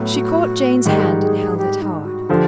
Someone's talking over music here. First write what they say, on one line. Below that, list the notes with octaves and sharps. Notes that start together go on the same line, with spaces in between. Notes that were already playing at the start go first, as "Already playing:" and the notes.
She caught Jane's hand and held it hard.
Already playing: A2 F#3 B3
F#4
G#2 D#3 G3 G4
A4
G#4
G#4
G#4
G4
D#4
F#4
D3 F3 G4